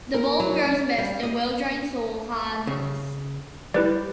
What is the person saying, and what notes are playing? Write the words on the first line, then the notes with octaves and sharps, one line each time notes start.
The bulb grows best in well-drained soil high in humus.
A#4
F#3
C#4
G3
D#5
C#3
G3 E4 B4 D5